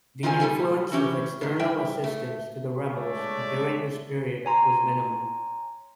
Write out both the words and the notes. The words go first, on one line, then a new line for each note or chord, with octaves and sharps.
The influence of external assistance to the rebels during this period was minimal.
D#3 F4 A4 C5 G#5
B2 G3 A4 G#5
E3 C#4 G4
A2 D#3
G3 E5 G5
A3
G#3 A3 D4 C#5 D5 E5
C#5 G#5 A#5 C6